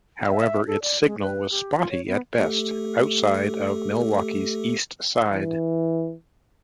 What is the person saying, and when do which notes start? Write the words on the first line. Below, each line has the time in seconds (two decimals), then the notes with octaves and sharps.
However, its signal was spotty at best outside of Milwaukee's East Side.
0.29 E5
0.67 A4
0.82 D5
1.06 G#3
1.21 B4
1.50 G4
1.76 F4
1.91 C#5
2.06 B3
2.38 A3 G4 A4
5.33 E3